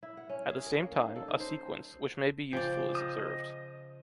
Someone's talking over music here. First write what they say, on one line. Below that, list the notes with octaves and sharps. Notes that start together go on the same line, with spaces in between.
At the same time, a sequence, which may be useful is observed.
E4
F#5
C#4
G#4
A#4
A#3
D#4
A4
D#4
C5
C#3 F3 D5 G5
D#5 D#6